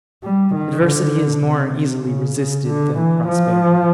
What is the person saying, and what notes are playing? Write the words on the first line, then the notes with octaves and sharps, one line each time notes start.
Adversity is more easily resisted than prosperity.
G3
D#3
D3
C3
C#3
C#3
D3
E3
F3